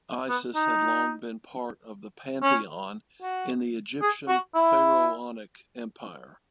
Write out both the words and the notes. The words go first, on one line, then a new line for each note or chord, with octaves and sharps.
Isis had long been part of the pantheon in the Egyptian pharaonic empire.
B3
D#4
C#4
F#4
G#4
F#4
E4